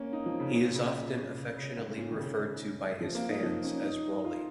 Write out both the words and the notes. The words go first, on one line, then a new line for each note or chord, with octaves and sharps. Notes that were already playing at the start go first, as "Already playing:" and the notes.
He is often affectionately referred to by his fans as Roli.
Already playing: A#3 C#4
D#4
F3
C#3
A#2
C#3
C#3
C#3
G#2
A#2
D#3
C#3
F3
A#3
D#4
F3
C#4
D#4
F4